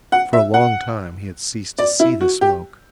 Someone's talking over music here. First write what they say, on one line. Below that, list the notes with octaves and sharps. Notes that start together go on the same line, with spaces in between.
For a long time he had ceased to see the smoke.
F#5
E5
F#5
D5
E4
F#4
G4